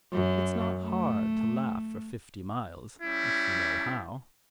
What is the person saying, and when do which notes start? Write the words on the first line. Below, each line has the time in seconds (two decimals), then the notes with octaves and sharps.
It's not hard to laugh for fifty miles if you know how.
0.13 F#2
0.82 A3
3.03 G3 C#4 E4